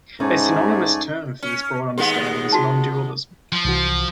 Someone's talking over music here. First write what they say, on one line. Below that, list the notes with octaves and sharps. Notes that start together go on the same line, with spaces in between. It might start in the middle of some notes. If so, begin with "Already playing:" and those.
A synonymous term for this broad understanding is nondualism.
G#2 A3 C#4 D#4 D5 G#5
C#4
D#2 G#3 B3 G4 G#4 F#5
F4 F#4 A5
F3
C2 E3 F#4